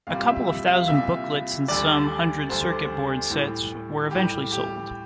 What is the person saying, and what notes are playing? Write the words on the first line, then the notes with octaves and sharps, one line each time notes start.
A couple of thousand booklets and some hundred circuit board sets were eventually sold.
C2 A#2 G3 F5
E5
E5
F5
C2 A#2 G3 E5
D2 D3 G3 D5
D2 D3 G3 C5
A2 G3 G4
A2 G3 G4
G4